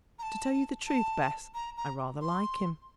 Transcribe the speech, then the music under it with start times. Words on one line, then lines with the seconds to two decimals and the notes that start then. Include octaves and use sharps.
To tell you the truth, Bess, I--rather like him.
0.19 A#5
0.23 A5
0.87 A5
1.54 A#5
1.77 A#5
2.21 C6